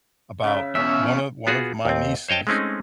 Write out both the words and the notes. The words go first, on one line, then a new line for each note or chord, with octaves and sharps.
about one of one of my nieces,
C#3 E5
E2 B2 C#4 E5
B3 F4 F#4 G#4
D#2 C4
C5 C#5 D#5 G5 A5
G#3 A3 C4 C#4 D#4